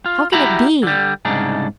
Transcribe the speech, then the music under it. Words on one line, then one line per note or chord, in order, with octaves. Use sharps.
How can it be?
F4
E4 F#4 G4 E5 A#5 B5
D3 G3
C2 G#2 C#3 D4 D#4